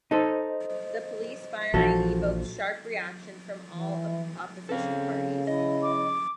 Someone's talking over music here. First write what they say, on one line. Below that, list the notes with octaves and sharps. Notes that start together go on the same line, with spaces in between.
The police firing evoked sharp reaction from all opposition parties.
D#4 A4 C5 D#5
A#1 E3 F3 F#4 A4
E3
C#3 C4 A4 F5
E4 D#5
D6